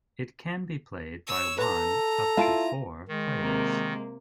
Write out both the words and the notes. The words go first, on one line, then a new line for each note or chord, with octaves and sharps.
It can be played by one up to four players.
C#5 E6
A4 B4 A#5
E4 F4 F5 A5 D7
D#3 G#3
C3 A#3